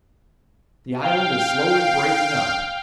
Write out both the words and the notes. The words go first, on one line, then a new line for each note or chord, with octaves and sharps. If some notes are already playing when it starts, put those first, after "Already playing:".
"The island is slowly breaking up."
F5 G5